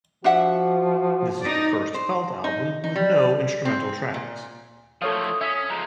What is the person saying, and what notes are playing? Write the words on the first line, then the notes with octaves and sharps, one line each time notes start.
This is the first Felt album with no instrumental tracks.
F3 D4 F#4 E5 F#5
D#4 D5
C5
D#4
D#4
G3
C4
A#2
F3 A3 A4 C#5 F5 D#6
C#4 E5
F3 G#3 A#5